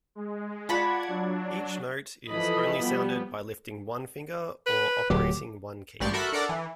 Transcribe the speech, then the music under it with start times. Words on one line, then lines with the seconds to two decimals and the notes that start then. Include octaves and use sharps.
Each note is only sounded by lifting one finger or operating one key.
0.15 G#3
0.69 F4 D5 F#5 A5 B5 C#6 G#6
1.08 F#3 D4
2.29 E3 F3 A4 D#5 B5
2.84 F3 G3 B3 G4
4.66 B4
5.10 D1 F#3 G4
6.00 A1 G2 G4 D5 C6 C#6
6.13 F#4 A4 A#4 E5 B5 F#6
6.32 D4 A4 A#4 D5 F#5 A#5
6.49 E3